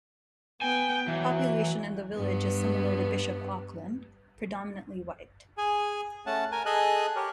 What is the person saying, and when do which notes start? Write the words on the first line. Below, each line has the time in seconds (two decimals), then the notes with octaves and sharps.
Population in the village is similar to Bishop Auckland, predominantly white.
0.61 B3 G5 G#5
1.08 E3 F#3
2.16 G2 B3
5.57 G#4 G#5
6.26 A3 C#4 F#5 A5
6.52 A#4 G#5
6.66 G#4 A4 D#5 G#5 F#6
7.16 G4 A#4 C#5